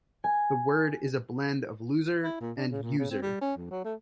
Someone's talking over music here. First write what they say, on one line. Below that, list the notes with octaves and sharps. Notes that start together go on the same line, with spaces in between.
The word is a blend of "loser" and "user".
G#5
E4
A#2
D4
C#3
A#2
C#3
C4
G3
C#4
F2
F#3
A3